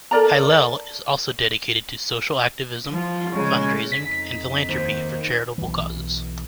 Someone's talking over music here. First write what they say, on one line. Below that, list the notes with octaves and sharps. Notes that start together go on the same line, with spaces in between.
Hillel is also dedicated to social activism, fundraising, and philanthropy for charitable causes.
A4 A#4 D5 A#5
F3 F4
C#3 G#3
F2 D#4 B6
D#2 C5
B1 E3